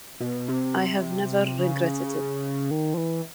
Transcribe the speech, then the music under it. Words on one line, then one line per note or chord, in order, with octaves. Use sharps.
I have never regretted it.
B2
C3
C#3
D#3
F3
E3